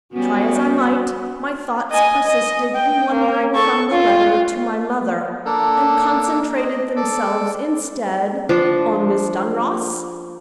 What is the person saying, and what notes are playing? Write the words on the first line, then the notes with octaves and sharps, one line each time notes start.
Try as I might, my thoughts persisted in wandering from the letter to my mother, and concentrated themselves instead--on Miss Dunross?
G3 B3 C#4 F#4
D#5 G#5
D#5
G5
A#3
A4 C#6
F4
A#3 D4 A4
D#5
A4 D5
F3 D4